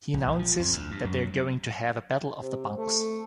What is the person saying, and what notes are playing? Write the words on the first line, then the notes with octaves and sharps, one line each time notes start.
He announces that they're going to have a battle of the bunks.
A#1
A#1
F3
F2
D2
G2
F#2
F#3
C3
A3